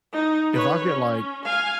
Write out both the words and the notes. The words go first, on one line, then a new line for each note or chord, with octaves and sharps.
if I could, like
D#4
B4 C#5
C#4
F5 G#5